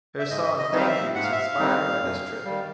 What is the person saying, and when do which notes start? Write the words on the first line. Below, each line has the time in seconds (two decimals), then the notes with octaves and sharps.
Her song "Thank You" is inspired by this trip.
0.19 E5
0.30 G#2 D#5
0.59 D#5
0.72 D#3 G3 C4 D#4 F5
0.87 E5
1.15 G#2 F#5
1.24 F5
1.32 E5
1.42 F5
1.59 D#3 G3 C4 D#4
2.02 F#2
2.45 D#3 G3